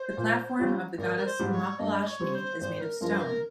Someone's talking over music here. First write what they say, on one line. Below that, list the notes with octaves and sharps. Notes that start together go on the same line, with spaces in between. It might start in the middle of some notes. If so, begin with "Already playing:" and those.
The platform of the Goddess Mahalakshmi is made of stone.
Already playing: C5
A#2
G3 C#4 F4
G#1 A#4
A#4
C5
G#2 G3
C5
C#5
G2 D#5
D#5
C#5
G3 C4
C5
G#1 C5
A#4
G2 F3 G#3 A#4
C5
A#4